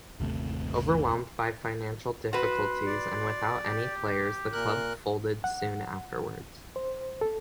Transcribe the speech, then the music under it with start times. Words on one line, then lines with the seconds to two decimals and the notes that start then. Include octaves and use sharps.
Overwhelmed by financial difficulties and without any players, the club folded soon afterwards.
0.20 G1 D#2 C3 A3
2.33 F#4 B4 C6
2.86 D5
3.65 G4
4.53 A#2 A#4 F#6
5.44 F#5
6.76 C5
7.21 A4